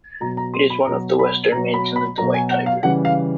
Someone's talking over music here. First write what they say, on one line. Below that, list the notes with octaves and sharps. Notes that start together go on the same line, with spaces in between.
It is one of the western mansions of the White Tiger.
B2 F#3 A#5
A#5
C6
B5
B2 F#3 A#5
B5
B2 F#3 A#5
B5
B5
B2 F#3 A#5
G#5
F#5
F5
C#3 E3 G3 F#5
F5